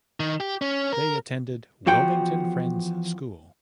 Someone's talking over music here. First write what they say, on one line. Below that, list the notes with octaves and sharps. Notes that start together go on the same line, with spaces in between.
They attended Wilmington Friends School.
D#3
G4
C#4
A#4
E2 F3 F#4 G5